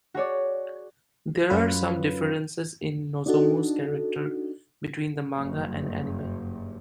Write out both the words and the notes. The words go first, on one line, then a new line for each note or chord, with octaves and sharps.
There are some differences in Nozomu's character between the manga and anime.
F#4 G#4 C#5 D5
F#2 F#3 F4 B4
D4 D#4 F#4 A4
F#1 G2